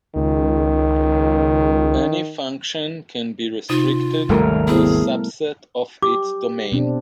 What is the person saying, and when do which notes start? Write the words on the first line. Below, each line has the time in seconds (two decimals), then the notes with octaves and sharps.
Any function can be restricted to a subset of its domain.
0.16 C#2 D#3
3.69 C3 D#4 F4
4.29 G#1 D#2 C#3 G3 A3 A#4
4.68 B3 E4 G#4 C5
6.02 G4 D6
6.72 B2 C4 D4